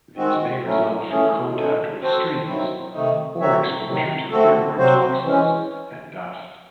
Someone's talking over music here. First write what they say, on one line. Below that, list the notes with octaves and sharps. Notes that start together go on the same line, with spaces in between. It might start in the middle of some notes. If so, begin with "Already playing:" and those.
These may result from contact with streams or exposure to airborne toxins and dust.
D#3 G#3 C4 F#4
F#3 A3 C#4 E4
E3 A3 C#4 G#4
C#3 G#3 D#4 A4
C4 F#4 A4 C5
D#3 F#3 C4 E4
C3 D#3 A3 D#4
F#3 C4 F#4 C#5 E5
C3 D#3 F#3
A3 C4 F#4 A4
C3 F#3 C4 F#4 C5
E3 G#3 C#4